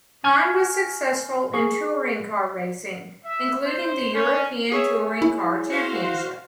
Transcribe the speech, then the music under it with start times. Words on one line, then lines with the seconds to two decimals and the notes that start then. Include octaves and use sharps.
Hahne was successful in touring car racing, including the European Touring Car Championship.
0.24 G#5 C#6 F6 G#6
1.54 G#4 C#6
3.24 E5
3.64 C5
4.13 C#4
4.72 G#4 C#5 E5
5.22 E4
5.70 F#4 C5 F5